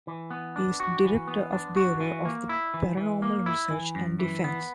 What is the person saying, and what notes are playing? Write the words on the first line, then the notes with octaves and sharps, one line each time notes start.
He is director of the Bureau of Paranormal Research and Defense.
E3
B3
D4
F#4
E3
B3
D4
F#4
E3
A#3
E4
E3
E3
A#3
E4
E3
F#2
E3
B3